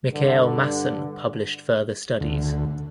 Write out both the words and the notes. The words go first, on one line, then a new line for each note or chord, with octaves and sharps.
Mikhail Masson published further studies.
G2 D3
D2